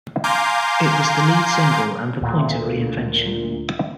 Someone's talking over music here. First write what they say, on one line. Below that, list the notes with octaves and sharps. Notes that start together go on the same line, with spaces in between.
It was the lead single and the point of reinvention.
F5 G#5 A#5 C6 D6 G6
D2 A#2